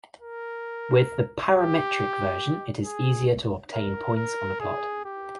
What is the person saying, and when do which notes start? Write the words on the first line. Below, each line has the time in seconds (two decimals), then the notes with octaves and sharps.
With the parametric version it is easier to obtain points on a plot.
0.22 A#4
1.53 G4
2.85 G#4
3.73 A#4
4.17 A#4
4.61 G#4
5.05 G4